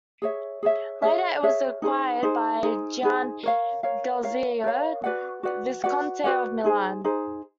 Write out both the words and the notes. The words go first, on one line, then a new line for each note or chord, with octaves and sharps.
Later it was acquired by Gian Galeazzo Visconti of Milan.
G#4 C#5 E5
G#4 C#5 E5
G#4 C#5 E5
G#4 C#5 E5
D#4 G#4 C5
D#4 G#4 C5
D#4 G#4 C5
D#4 G#4 C5
A#4 C#5 F5
A#4 C#5 F5
A#4 C#5 F5
A#4 C#5 F5
F#4 B4 D5 F#5
F#4 B4 D5 F#5
F#4 B4 D5 F#5
F#4 B4 D5 F#5
D#4 G#4 C5
D#4 G#4 C5